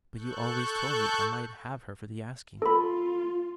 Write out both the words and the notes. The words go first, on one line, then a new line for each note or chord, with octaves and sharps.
"But you always told me I might have her for the asking."
A4 C#6 F#6 G6
F4 A4 B5